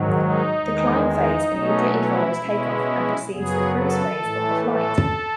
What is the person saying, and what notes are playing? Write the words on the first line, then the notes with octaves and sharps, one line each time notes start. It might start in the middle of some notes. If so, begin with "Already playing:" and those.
The climb phase immediately follows take-off and precedes the cruise phase of the flight.
Already playing: G#2 D#3 F#3
D#4
E2 D#3 G#3
D#4
B2 F#3 A3 C#4
E4
B2 G#3 C#4
F#2 C#3 F#3 B3 G#4
A4
A2 E3 A3
A4